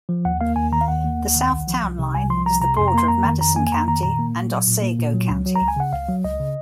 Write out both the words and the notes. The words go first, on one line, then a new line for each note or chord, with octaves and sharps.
The south town line is the border of Madison County and Otsego County.
F3
D#2 F#5
A#3 F5
D#2 G#5
D#3 A#5
F5
D#2 F#5
A#3
D#2
D#3
C2
F3
C2
C3
C2 G#5
F3 C6
C2 A#5
C3 A#5
F2 C6
A#5
A#3 C6
F2 A#5
D#3
F2 A#5
A#3 G#5
G#5
F2 A#5
D#3 A#5
A#2 A#5
A#3
A#2
F#3
A#2
A#3
A#2
F#3
C#2
F#3
A#5
C#2
G#5
C#3 F#5
C#2 F5
F#3
C#2 D#5
C#3